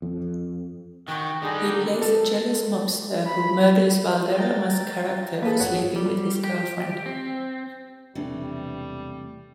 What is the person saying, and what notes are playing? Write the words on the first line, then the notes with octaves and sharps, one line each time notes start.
He plays a jealous mobster who murders Valderrama's character for sleeping with his girlfriend.
F2
D#3 F#4 G5
D3 G3 D#4 G#4
A4
B5
G5 A#5 A6
A#3 G#4 A4 B4
G#1 C#5 F#5
G3
G4
C4
E1 C3 E3 G3 A3 D4